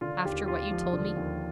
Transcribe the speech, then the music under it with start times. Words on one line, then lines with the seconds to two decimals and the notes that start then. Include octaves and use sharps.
After what you told me?
0.01 D3 F4
0.25 D#2 G4
0.47 D#2 F4
0.71 F3
0.93 D3
1.16 D#2